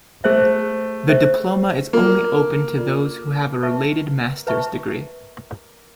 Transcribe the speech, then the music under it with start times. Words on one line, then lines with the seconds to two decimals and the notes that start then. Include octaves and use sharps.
The diploma is only open to those who have a related Master's degree.
0.24 A3 G#4 C5 E5
1.09 G#4 C5 E5
1.93 A#3 F4 A4 D5
2.77 F4 A4 D5
3.63 B4 E5 A5 C#6
4.47 B4 E5 A5 C#6